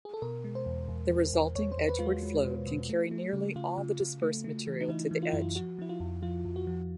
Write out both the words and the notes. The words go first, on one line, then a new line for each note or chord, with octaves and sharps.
The resulting edgeward flow can carry nearly all the dispersed material to the edge.
G#4
A4
B2 A#4
G#3
C5
E2
E2
E2
E2
E2 C#5
C5
E2
B4
G#3 F4
F#4
G#3
B2
B2
A3
A3
C#3
C#3 F4
C#3
C#3
A3
A3
E3
D#4
E3 E4
E3
F4
F#2 E4
F4
F3 F#4
F3 E4
F4
F2
F3 F4
F2
F#4
F3